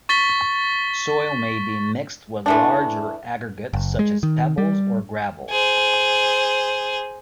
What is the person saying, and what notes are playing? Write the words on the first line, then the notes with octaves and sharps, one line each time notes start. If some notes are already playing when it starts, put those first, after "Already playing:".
Soil may be mixed with larger aggregate, such as pebbles or gravel.
C#6 A6 B6 G7
E3 A3 D4
F#1
G#3
D#3
G3
G#4 C5